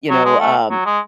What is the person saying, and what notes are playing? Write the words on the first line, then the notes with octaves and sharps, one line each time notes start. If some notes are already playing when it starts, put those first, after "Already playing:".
you know, um,
F#3
G#3
A3
F#3
G#3